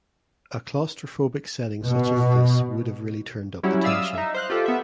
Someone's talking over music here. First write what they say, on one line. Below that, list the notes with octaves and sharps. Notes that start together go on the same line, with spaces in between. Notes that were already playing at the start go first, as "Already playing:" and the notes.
A claustrophobic setting such as this would’ve really turned up the tension.
B2
F#3 G3 C#4 E4
D5 E5 F5 D#6 E6
D#4 E5
C5 F5 F#6
F4 G4 A4
B3 E5